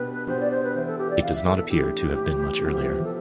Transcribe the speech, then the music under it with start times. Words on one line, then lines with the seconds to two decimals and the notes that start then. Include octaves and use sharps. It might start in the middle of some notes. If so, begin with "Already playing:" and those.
It does not appear to have been much earlier.
Already playing: B2 B3 D4 G4 B4
0.28 B2 B3 D4 G4 C5
0.40 D5
0.51 C5
0.64 B4
0.74 E3 B3 E4 C5
0.87 A4
0.98 G4
1.10 D5
1.22 E3 B3 E4 F5
1.34 E5
1.46 A4
1.57 A4
1.69 A2 E3 G3 D4 G4
2.16 A2 E3 G3 D4
2.63 C3 F3 B3 E4
3.04 A4